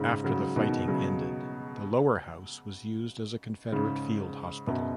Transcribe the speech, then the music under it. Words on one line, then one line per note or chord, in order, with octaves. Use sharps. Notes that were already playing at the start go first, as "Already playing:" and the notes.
After the fighting ended, the lower house was used as a Confederate field hospital.
Already playing: G#2 C#3
C#3 F#3
B2 D#3
C#3 F#3
G#2 C#3
F#2 B2